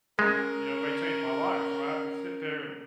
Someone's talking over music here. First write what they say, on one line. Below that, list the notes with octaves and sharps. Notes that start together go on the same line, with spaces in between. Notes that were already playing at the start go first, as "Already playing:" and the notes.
you know, may change my life, so I have to sit there and
G#3 C#4 A#4